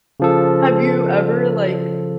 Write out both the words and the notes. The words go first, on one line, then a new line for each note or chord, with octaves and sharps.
Have you ever, like,
C#3 F3 A4